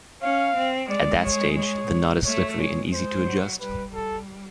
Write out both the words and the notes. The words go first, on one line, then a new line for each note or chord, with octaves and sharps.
At that stage, the knot is slippery and easy to adjust.
C#4 F5
C4
G#3 D5
C#5
C#5
A3 C#5
G#3 C#5
G#3 C5
F#3
G3 B4
G3 A4